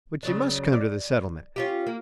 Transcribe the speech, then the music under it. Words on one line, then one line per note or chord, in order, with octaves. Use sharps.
But you must come to the Settlement.
C#3 F#3 D4
D5
C#4 F4 G4
A#3